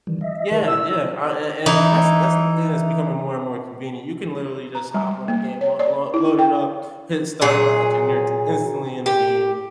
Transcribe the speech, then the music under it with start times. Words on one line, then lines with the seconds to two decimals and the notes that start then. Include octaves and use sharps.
yeah, yeah, uh, and and that's that's the thing that's becoming more and more convenient. You can literally just hop on the game, l load it up, hit start match, and you're instantly in the game,
0.07 D#3 E3 G3
0.21 D#5 E5
0.51 D#3 A#4
0.67 E4 E6
1.66 E3 D#4
4.75 A#5
4.94 G3
5.28 A#3
5.61 C#5
5.79 D5
6.14 E4
6.39 G5
7.42 A#2 F#3 G#4
9.06 G4